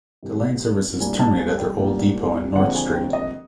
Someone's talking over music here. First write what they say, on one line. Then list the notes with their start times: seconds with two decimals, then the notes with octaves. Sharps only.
Delaine services terminate at their old depot in "North Street".
0.23 C2 C3 D#3
1.00 C2 A#2 G3 A#3 D4 G#5
1.19 A5
1.39 G#5
1.58 G5
1.78 C2 A#2 G3 A#3 D4
2.55 D#2 D3 F3 G#3 C4 F#5
2.75 G#5
2.94 G5
3.13 D#5